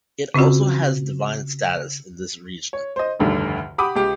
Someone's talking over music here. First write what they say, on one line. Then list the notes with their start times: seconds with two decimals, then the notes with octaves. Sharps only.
It also has divine status in this region.
0.34 C#3 C4 C#4 F4 F#4
2.73 C#5
2.96 C5 D#5
3.20 F1 D2 G2 D3 D#3
3.78 G4 F#5 B5 D6 D#6
3.96 C#2 G4